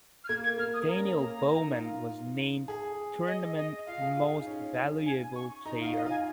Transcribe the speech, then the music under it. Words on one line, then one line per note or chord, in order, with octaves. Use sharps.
Daniel Bowman was named Tournament Most Valuable Player.
F6
A#3 G#6
G#6
A#3 F6
D#6
C#4 A#5
A#3
D#4
F4
G#4
D#5
D#5
F4 F5
G#4
F4
D#4
C#4
G#5
C#6
D#4 A#5
F5
F4
D#5
F4 G#5